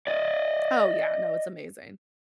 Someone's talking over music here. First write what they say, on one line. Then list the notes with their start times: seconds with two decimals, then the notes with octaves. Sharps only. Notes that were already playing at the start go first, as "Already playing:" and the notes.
Oh yeah, no, it's amazing.
0.07 D5 D#5